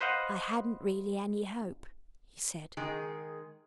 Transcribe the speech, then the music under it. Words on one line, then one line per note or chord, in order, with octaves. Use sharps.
'I hadn't really any hope,' he said.
B4 C5 D#5 F5 F#5
D#3 G#3 G#4